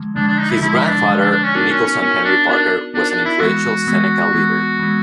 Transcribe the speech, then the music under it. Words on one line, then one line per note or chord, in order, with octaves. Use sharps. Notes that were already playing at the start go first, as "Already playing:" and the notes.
His grandfather Nicholson Henry Parker was an influential Seneca leader.
Already playing: D3 F3 G#3
D3 F3 G#3 D4
D4
D#4
E4
D3 F3 G#3 E4
D4
D3 F3 G#3
D4
D4
C#4
B3 D4 D#4 F#4 A#4
C#4
C#4
B3 C#4 D#4 F#4 A#4
D4
B3 D4 D#4 F#4 A#4
B3 D4 D#4 F#4 A#4
D4
E4
E3 G#3 B3 F#4
E3 G#3 B3
E3 G#3 B3
E3 G#3 B3